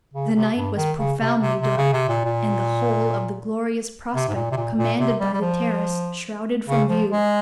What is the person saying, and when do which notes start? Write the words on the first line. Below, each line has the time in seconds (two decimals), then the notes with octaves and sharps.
The night was profoundly dark, and the whole of the glorious prospect commanded by the terrace shrouded from view.
0.14 C#3
0.34 C3
0.56 G2
0.77 D#3
0.98 C#3
1.19 C3
1.40 C3
1.61 C3
1.77 C#3
1.93 C3
2.09 A#2
2.24 A#2
4.15 C3
4.28 G#2
4.35 A#2
4.51 C3
4.57 A#2
4.78 A#2
4.99 C3
5.20 G3
5.33 G3
5.41 F3
6.68 C#3
6.89 F3
7.11 G#3